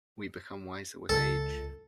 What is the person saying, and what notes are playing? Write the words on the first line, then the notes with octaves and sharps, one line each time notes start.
We become wiser with age.
C#2 A4